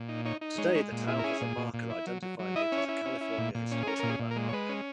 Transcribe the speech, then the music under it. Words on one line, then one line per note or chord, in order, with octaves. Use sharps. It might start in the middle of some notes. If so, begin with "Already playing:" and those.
Today the town has a marker identifying it as a California Historical Landmark.
Already playing: A#2
D#4
D#4 C#5
D#4
G#3 C#5
G#3 C#5
A#2
E4 G#4
A#4
C#4 G#4
A#2
A#2
A#2
E4
F#3
F#3
F#3
E4 D#5
C#4
C#5
E4
C#4
E4
A#2
A#2
C#4
G#4
C#4 A#4
A#2 A#4
G#4
A#2
A#4
G#3
C#5
G#3 B4
C#4